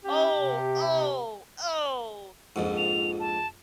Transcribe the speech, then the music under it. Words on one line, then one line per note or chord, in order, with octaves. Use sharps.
Oh, oh, oh.
C#4 G4
C3
A#1 F2 G#2
F7
A5